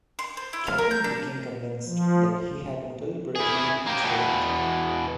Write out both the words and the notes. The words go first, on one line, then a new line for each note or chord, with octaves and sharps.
Keppel became convinced that he had been deliberately betrayed.
C6
C5
E4
F5
A#4
G6
D4
F3
E4 G#4
A#3 G4
E2 B2